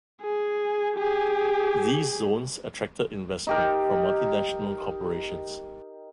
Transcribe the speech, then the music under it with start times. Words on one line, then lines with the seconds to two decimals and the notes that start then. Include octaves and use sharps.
These zones attracted investment from multinational corporations.
0.22 G#4
0.96 G4 G#4
3.47 D#4 G4 A#4